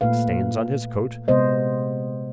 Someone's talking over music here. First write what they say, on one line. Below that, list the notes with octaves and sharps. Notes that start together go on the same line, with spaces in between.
Stains on his coat.
A#2 A3 B4 F5
C3 G#3 B3 C5 D#5